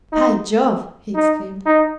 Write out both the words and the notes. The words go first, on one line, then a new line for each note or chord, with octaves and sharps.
"By Jove!" he exclaimed.
D#4
D#4
D#4